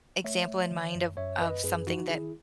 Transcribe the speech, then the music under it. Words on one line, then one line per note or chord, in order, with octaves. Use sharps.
example in mind of of something that
A3 C#5 E5
A3
D#3
F#2
F#2 C#5 E5
F#2 B4 D#5
F#2 G#4 B4
E3 D#4 F#4
D#3 E4 G#4